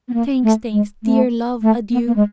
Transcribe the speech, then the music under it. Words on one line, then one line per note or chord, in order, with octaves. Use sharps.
"Thanks, thanks, dear love, adieu!"
B3
A#3
A3
G#3
A3
A3
B3
A#3
G#3